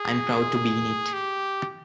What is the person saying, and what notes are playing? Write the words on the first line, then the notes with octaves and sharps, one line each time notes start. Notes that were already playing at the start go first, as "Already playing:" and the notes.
I'm proud to be in it.
Already playing: G#4
G4